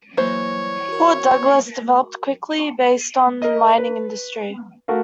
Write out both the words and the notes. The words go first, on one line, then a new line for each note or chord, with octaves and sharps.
Port Douglas developed quickly based on the mining industry.
E3 F#3 A#3 C5 C#5
F#4 A#4
A#4 D#5
B4
A3 F#4 A#4 F5